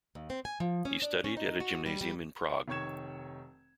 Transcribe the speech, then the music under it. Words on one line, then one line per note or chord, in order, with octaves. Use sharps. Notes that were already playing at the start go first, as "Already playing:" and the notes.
He studied at a gymnasium in Prague.
D#2
C4
G#5
F3
C#4
D4
C#4
D#4
F#4
G3
G3
F1 D#3 C#5 C#6 G#6 E7